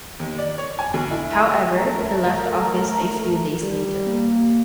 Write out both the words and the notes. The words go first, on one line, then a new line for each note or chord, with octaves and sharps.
However, he left office a few days later.
D#2
D5
C#5
G#5
D2
E4
A#5
A3 A#4
G3
A#3